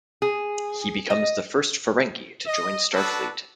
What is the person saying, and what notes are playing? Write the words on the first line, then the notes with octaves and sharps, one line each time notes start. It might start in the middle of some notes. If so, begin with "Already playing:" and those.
He becomes the first Ferengi to join Starfleet.
G#4
D#5
D#5
D4 F#4 A4 B4